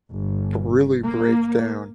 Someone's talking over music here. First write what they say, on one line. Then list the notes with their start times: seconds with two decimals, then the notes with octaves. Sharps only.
but really break down
0.10 G1
1.04 A#3